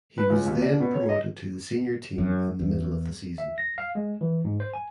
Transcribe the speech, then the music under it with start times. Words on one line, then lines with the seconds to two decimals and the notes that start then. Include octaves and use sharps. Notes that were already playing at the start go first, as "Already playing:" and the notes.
He was then promoted to the senior team in the middle of the season.
0.18 B4
0.30 C#2
0.46 D#2
0.62 D5
0.80 B2
0.94 C#5
1.09 D#5
2.18 F#2
2.60 E2
3.38 E5
3.58 A#6
3.78 F5
3.95 G#3
4.21 E3
4.45 G#2
4.60 C5
4.74 G#5